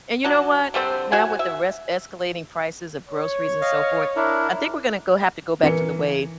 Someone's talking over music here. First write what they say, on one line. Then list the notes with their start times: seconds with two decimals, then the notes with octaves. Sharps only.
And you know what? Now with the res escalating prices of groceries and so forth, I think we're gonna go have to go back to the way
0.24 F#3 D4
0.74 D3 G3 C4 C5
1.12 F#4 G#5
1.39 E5
3.09 C#5
3.61 D#5 F5
4.16 D4 E4 A#4
5.63 E3 A#4 C#7